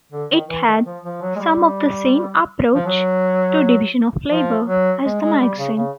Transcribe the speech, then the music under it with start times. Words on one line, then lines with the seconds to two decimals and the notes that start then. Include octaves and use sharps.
It had some of the same approach to division of labour as the magazine.
0.12 D3
0.30 D#3
0.49 E3
0.67 D#3
0.85 F3
1.04 F3
1.22 F#3
1.36 G#3
1.40 G3
2.75 F3
2.86 F#3
4.31 F3
4.67 F#3
5.04 G#3
5.22 G#3
5.40 G3
5.58 C#3
5.77 C#3